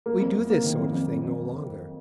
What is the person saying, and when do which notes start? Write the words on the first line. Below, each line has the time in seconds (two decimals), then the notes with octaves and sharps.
We do this sort of thing no longer.
0.06 A#3
0.20 F2
0.36 F2
0.50 A#3
0.64 D#3
0.79 F2
0.93 F2
1.08 F2
1.22 F2